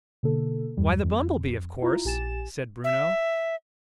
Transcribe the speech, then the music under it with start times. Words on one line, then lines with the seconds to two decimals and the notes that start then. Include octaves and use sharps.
"Why the bumble-bee, of course!" said Bruno.
0.23 B2 D3 A#3 A4
0.77 E2 G2 G3
1.05 F2
1.82 E4 F4 A#5
2.05 A#1 G4 G#5 A6 E7
2.84 E5